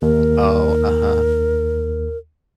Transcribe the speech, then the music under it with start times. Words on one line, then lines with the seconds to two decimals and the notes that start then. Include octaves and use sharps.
Oh, uh-huh.
0.02 D#2 A#4